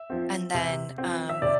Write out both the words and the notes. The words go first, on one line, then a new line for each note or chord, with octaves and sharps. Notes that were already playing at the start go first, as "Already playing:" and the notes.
And then, um,
Already playing: E5
F3 C4
C3
F3 C4
E5
C3 D5